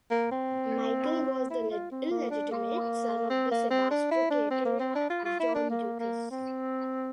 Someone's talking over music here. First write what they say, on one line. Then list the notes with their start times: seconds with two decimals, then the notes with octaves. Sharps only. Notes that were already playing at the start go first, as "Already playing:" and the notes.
Michael was the illegitimate son of the "sebastokrator" John Doukas.
0.11 A#3
0.31 C4
1.50 E4
1.70 F4
1.91 C4
2.10 A#3
2.30 D4
2.51 A#3
3.30 C4
3.51 A#3
3.70 C4
3.91 D4
4.11 E4
4.30 D4
4.50 C4
4.65 A#3
4.80 C4
4.95 D4
5.10 F4
5.25 F4
5.40 E4
5.55 D4
5.70 A#3
5.99 A#3
6.30 C4